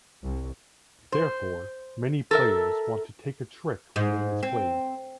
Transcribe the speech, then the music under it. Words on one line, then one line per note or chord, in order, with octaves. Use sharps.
Therefore, many players want to take a trick when it is played.
C2
C5
A4 A#4 E5
G#2
C4